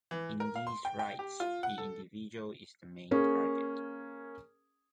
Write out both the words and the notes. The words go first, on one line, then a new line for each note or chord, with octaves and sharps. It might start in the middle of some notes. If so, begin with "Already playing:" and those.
In these rights, the individual is the main target.
E3
A#4
F5
C6
G5
G5
G4
F4
F#5
A4
A#3 C#4 G#4